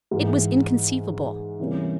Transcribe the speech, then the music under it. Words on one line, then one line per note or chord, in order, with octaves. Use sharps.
It was inconceivable.
G#2 E3 G#3
C3 E3 G3 A#3 C#4